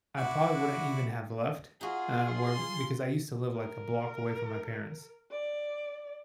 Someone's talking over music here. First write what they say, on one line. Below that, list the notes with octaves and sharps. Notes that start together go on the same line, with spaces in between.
I probably wouldn't even have left, uh, where because I used to live, like a block away from my parents
E4 F#4 D5 F#5
D#4 F4 F#4 G#4
C6
A#4
D5